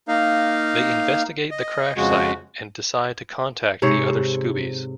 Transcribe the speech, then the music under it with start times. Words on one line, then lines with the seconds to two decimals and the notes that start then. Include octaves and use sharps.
They investigate the crash site and decide to contact the other Scoobies.
0.08 A#3 D#4 F5
1.51 D#5
1.97 F2 C#3 G#3 F#4
3.82 G#2 C3 C5 C#5